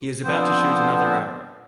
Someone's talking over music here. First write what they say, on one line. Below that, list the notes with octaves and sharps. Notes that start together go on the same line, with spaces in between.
He is about to shoot another arrow.
D3 F3 B3 C4 C5